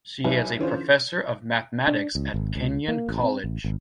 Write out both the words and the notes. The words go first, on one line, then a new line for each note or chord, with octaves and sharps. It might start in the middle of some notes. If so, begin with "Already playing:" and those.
She is a professor of mathematics at Kenyon College.
C2 F#3 D#4 B4 E5 G#5
D3 E3 C#4 D4 F4 C5
D4
C#2
G#1
C#2
A#3
A1
C4
A1
G#1